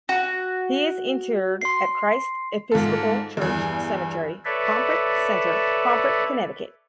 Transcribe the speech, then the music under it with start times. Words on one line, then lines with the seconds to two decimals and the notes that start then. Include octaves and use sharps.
He is interred at Christ Episcopal Church Cemetery, Pomfret Center, Pomfret, Connecticut.
0.09 F#4
1.62 C6 C7
2.72 G#2 F4 A4
3.37 E2 G2
4.45 A4 B4 C#5 D5 E5